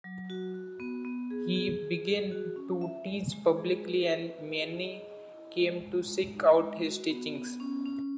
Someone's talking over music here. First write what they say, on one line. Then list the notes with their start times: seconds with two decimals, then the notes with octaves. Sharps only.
He began to teach publicly, and many came to seek out his teachings.
0.04 F#3
0.30 F#4
0.54 F#4
0.80 B3
1.05 B3
1.30 G#4
1.55 G#4
1.81 G#4
2.06 G#4
2.31 F#4
2.56 C#4
2.81 E5
3.07 G#3
3.32 G#3
3.57 G#4
3.82 B4
4.07 B4
4.32 E5
4.58 G#4
4.83 D#5
5.08 D#5
5.33 E4
5.59 G#3
5.84 G#3
6.09 G#3
6.34 D#4
6.60 G#3
6.85 F#4
7.10 B3
7.35 B3
7.60 C#4
7.86 C#4